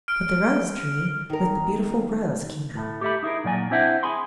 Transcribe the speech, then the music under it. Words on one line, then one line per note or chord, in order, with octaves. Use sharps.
But the rose-tree with the beautiful rose came out.
F6 D7
D#3 A#4
A2 A3
G4 A4 E5 B5
D#4 E4 G#4 A#4
A#2 F#3 D5 G#5
C4 D4 E4 C5 E5 F#5
G#4 G#5 B5 C6